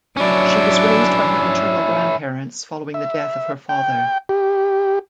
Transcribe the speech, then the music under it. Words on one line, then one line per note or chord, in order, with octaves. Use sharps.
She was raised by her maternal grandparents following the death of her father.
F#3 C#4 D4 E4
E5
G5
G4